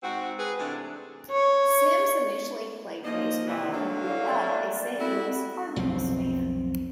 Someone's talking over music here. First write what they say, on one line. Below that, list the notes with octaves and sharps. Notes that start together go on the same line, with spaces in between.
Sims initially played baseball and grew up a Saint Louis Cardinals fan.
G#2 C4 F#4
G#4 B4
C3 E3 A3 D4
C#5
F3 A#3 D#4 D#5
C3 E3 D5
F#3 A3 A#3 D4
E4 F5
D5 E5
C4 E4 F#4 A4
B1 F2 F#3 C4